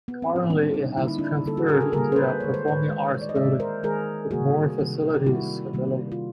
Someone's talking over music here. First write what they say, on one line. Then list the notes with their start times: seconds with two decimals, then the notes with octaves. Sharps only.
Currently it has transferred into a Performing Arts building, with more facilities available.
0.08 B3
0.22 C4
0.36 C#4
0.50 D3 G3 A#3 C4 D4
0.74 C#4 D#4
0.98 D3 G3 A#3 E4
1.08 D#4
1.18 D4 E4
1.46 D3 G3 A#3 A4
1.57 F#4 G#4
1.69 G#4 A#4
1.80 G4 A4
1.93 D3 G3 A#3 G#4 A#4
2.12 C5
2.16 A4 B4
2.40 D#3 G#3 C#5
2.54 C5
2.68 B4 C#5
2.89 D#3 G#3
3.14 C#5
3.22 D5
3.29 D#5
3.35 D#3 G#3 D5 E5
3.60 A#4 C5
3.83 D#3 G#3 G#4 A#4
4.31 C3 D#3 G3 A#3 F#4 G#4
4.78 C3 D#3 G3 A#3
5.14 G4
5.26 C3 D#3 G3 A#3 E4 F#4
5.73 C3 D#3 G3 A#3
6.12 F4